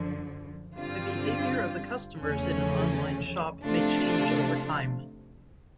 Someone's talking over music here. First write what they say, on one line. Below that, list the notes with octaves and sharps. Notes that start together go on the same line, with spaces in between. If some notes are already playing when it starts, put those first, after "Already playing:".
The behavior of the customers in an online shop may change over time.
Already playing: F#2 D3 F3
G2 D3 G3 C4 F4
E2 C#3 F3 A3 C#4
C3 F3 A3 D4 F4